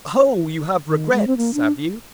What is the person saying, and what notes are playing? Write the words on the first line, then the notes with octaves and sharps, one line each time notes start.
"Oh, you have regrets, have you?"
D#3
G#3
C4
A#3
D4